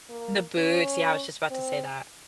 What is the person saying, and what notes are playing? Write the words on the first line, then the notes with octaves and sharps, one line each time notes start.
The boots, yeah, I was just about to say that.
A#3
C#4
C4